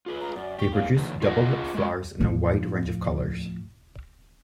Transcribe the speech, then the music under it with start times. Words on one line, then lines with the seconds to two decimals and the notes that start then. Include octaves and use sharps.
They produce double-lipped flowers in a wide range of colours.
0.06 F4 G#4 B4
0.21 A#5
0.36 F#2 D5
0.59 G4 C#6
0.72 G#2 A#3 C#4 F5
0.97 E2 D3
1.22 F4 G#4 D#5 F#5
1.74 G#3 F#4
2.20 A2 F3